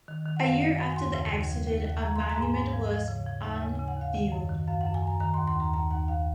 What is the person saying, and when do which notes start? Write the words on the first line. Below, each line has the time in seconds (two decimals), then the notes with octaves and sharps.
A year after the accident, a monument was unveiled.
0.08 D#3
0.26 D#3
0.37 F#5
0.43 F#2 F5
0.61 D#3 F#5
0.79 F#2 G#5
0.96 D#2 C6
1.14 C#3
1.32 D#2
1.49 F3
1.68 D#2
1.85 D#2
2.02 F3 A#5
2.16 C6
2.20 F3
2.30 A#5
2.38 G#2 G#5
2.56 G#2
2.73 F3
2.91 F3
3.08 C#3
3.26 F3
3.44 D#2
3.62 C#3 G#5
3.75 G#5
3.79 C#3
3.88 F#5
3.97 D#2 F5
4.14 D#3 F#5
4.32 F#2
4.50 D#3
4.67 F#2 F5
4.81 F#5
4.86 F#2
4.94 G#5
5.03 F#2 A#5
5.20 D#3 A#5
5.34 C6
5.38 D#2
5.47 C6
5.56 D#2 A#5
5.74 D#2 A#5
5.91 D#2 F#5
6.08 D#2 F5